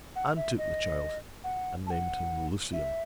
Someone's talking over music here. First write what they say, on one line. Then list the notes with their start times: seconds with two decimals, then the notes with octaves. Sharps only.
Anne took the child, and named him Lucien.
0.15 F#5
0.36 E5
0.58 D#5
1.44 F#5
1.87 A5
1.90 F#5
2.73 E5